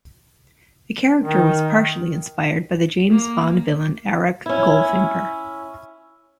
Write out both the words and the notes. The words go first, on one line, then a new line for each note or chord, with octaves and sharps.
The character was partially inspired by the James Bond villain Auric Goldfinger.
D#3
A#3
C#4 E4